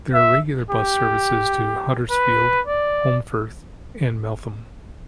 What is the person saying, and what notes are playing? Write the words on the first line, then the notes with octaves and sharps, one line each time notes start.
There are regular bus services to Huddersfield, Holmfirth and Meltham.
E5
G4
B4
D5